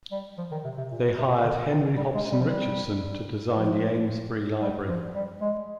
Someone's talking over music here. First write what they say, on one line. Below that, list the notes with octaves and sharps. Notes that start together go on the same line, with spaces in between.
They hired Henry Hobson Richardson to design the Ames Free Library.
G3
F3
D#3
C3
C3
A#2
C3
D3
D#3
G3
G#3
G3
F3
G3
F3
G3
F3
G3
G#3